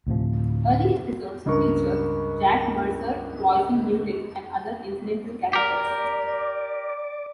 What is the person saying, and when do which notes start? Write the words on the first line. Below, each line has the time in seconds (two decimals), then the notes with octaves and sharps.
Early episodes feature Jack Mercer voicing Newton and other incidental characters.
0.07 D2 A2 C3 F3
1.46 C#2 G2 A#4 C#6
5.53 G4 A#4 D5